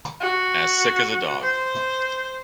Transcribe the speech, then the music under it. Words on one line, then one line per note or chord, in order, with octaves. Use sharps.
As sick as a dog.
F#4
C5